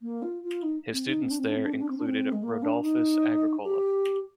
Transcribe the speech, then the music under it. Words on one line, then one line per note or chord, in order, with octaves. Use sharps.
His students there included Rodolphus Agricola.
A#3
F4
F4
D#4
C4
D#4
C4
D4
C4
D4
C4
D4
C4
D4
C4
D4
C4
G#3
A#3
D4
D#4
G4